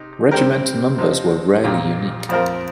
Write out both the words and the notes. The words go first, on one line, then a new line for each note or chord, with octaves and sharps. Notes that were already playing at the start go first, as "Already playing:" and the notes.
Regimental numbers were rarely unique.
Already playing: C3 D#4 G4
C3 G3 C4 G4 A#4
C3 F3 D#4
A#1 A#2 A#3 G4
F2 F3 C4 F4 A#4